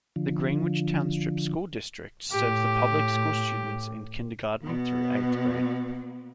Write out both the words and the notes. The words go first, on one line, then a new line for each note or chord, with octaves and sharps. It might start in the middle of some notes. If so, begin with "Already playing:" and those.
The Greenwich Township School District serves public school students in kindergarten through eighth grade.
D3 F3
A2 G4
B2 B3